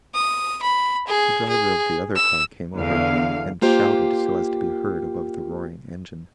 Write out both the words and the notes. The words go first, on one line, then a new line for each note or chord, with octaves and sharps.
The driver of the other car came over, and shouted so as to be heard above the roaring engine.
D#6
B5
G#4
G#4
E6
E2 D3 F5
A#3 F4 G4 C5